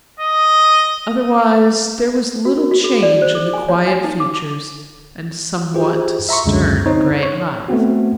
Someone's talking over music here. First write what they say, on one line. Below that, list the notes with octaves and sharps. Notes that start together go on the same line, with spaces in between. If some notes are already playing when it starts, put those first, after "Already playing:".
Otherwise there was little change in the quiet features and somewhat stern grey eyes.
D#5
F#4
A#4
F#4
G#4
D5
C5
G#4
G#5
C#5
G#5
D#4
D6
E4 F4 G4 G#4 C5
E5 A#5 C6 C#6
C#2 F#2 D3 G#3
D3 C4 D#4 C5 C#5
C#5
A3 B3 C4 F#4